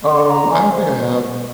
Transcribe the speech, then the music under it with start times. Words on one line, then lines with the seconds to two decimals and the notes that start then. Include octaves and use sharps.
Um, I don't think I have.
0.08 C6
0.30 A#5
0.51 G#5
0.72 C5